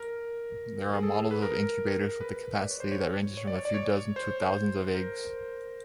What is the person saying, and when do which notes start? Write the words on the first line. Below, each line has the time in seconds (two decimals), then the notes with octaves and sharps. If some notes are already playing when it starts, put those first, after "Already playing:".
There are models of incubators with a capacity that ranges from a few dozen to thousands of eggs.
Already playing: A#4
0.94 G#4
1.03 A4
1.31 B4
1.43 A#4
2.20 B4
2.60 D5
2.71 C#5
2.80 C5
2.92 C#5
3.37 C#5
3.47 D5
3.55 C#5
3.65 D5
3.74 C#5
4.16 C5
4.95 A#4